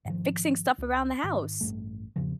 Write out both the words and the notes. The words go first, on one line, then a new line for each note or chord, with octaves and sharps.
e fixing stuff around the house
G#2 D#3 F3
C#2
G#2 D#3
A1 G2 A3
E2 G#2 C#3 F3